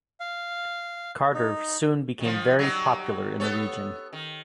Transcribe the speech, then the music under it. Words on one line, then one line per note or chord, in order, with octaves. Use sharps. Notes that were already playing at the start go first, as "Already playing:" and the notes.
Carter soon became very popular in the region.
F5
D#4
D#3 F3
F#3 G3 D#4
B3 A4 C#5
D#3